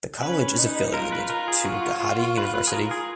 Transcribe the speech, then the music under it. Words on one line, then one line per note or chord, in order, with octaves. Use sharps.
The college is affiliated to Gauhati University.
C#4 B4
D#4
F4 A#4
B4
A#4
G#4
F#4
B4
B4
G#4
A#4
G#4